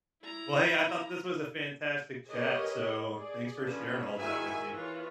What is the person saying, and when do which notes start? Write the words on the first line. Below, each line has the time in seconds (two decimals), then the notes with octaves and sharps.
Well, hey, I thought this was a fantastic chat. So, thanks for sharing all that with me.
0.23 E4 A#5
2.29 G4 G#4 A#4 B4 C#5 D#5
3.17 G#4 D5
3.62 D3 F3 C#4 B4
4.18 D#3 E4 F#4 G#4 E5 G#5
4.68 E3 F4 B4 C#5